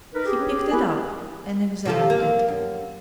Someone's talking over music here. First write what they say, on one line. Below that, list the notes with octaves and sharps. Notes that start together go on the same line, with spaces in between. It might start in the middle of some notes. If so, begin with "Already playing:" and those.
He picked it up and examined it.
D#4 A#4 B4
G4 G#4
C#4
B3 E4 G4 A#4 B4 G#5
C3 F3 A4
A#3
F#2